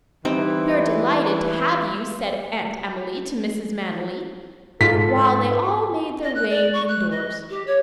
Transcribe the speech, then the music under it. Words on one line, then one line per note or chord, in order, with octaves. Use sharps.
"We are delighted to have you," said Aunt Emily to Mrs. Manily, while they all made their way indoors.
E3 G3 C4 D#4
G#2 F4 A4 B6
D#5
F#6
D5
C#6
F#6
D#5
G4
C#5